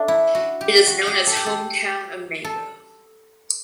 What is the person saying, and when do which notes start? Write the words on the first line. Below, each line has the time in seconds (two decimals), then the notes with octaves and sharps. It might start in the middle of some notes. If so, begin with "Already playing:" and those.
It is known as "Hometown of Mango".
Already playing: A3 D4
0.08 E4
0.35 F#4
0.61 G4
0.87 F#4
1.07 G4
1.27 A4
1.36 G4
1.46 A4
2.44 A4